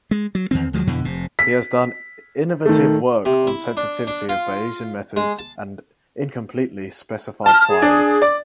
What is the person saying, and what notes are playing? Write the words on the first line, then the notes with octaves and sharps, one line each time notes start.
He has done innovative work on sensitivity of Bayesian methods and incompletely specified priors.
G#3
F#3
E2 D#3 C4
D2 F3 F#3 G#3
F2 B2 D3 E3
F1 C3
B6
D#3 A3
C3
E4
D4
D4
F4
G#3
A5
A5 F6
G#4
D4
D5